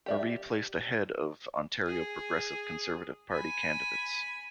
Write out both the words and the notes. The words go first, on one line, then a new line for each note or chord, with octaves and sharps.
Marie placed ahead of Ontario Progressive Conservative Party candidates.
G4 D5 E5
G#4
G#5 B5